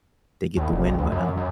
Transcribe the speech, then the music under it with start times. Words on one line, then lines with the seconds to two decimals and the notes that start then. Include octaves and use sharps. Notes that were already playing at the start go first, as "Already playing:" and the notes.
they get the win. But, um,
0.57 D#2
0.72 F1
0.86 B1
0.98 D2
1.12 F#2
1.37 F#2